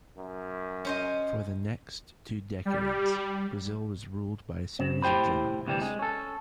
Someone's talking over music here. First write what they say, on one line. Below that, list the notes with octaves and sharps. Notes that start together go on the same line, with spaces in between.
For the next two decades, Brazil was ruled by a series of generals.
F#2
C#4 C5 D#5
G3
C#3 C4
A2 E4 G4 C5 B5
D2 C3 E3 G3
G#3
C#4 A4